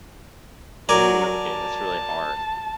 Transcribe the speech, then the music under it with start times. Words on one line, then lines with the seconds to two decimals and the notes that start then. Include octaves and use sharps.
Ooh, okay, that's really hard.
0.89 F#3 A#4 D5 G#5
1.37 A5